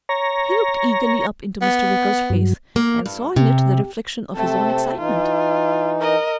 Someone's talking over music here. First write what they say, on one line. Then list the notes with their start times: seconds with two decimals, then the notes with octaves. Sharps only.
He looked eagerly up into Mr. Wicker's face and saw in it the reflection of his own excitement.
0.09 C#5 A#5
1.62 B3
2.30 G2 F#3
2.76 A#3
3.06 G2
3.36 C3
4.34 C3 A3 C4 A4
4.97 E3 D#4 F4
6.00 A#4 D#5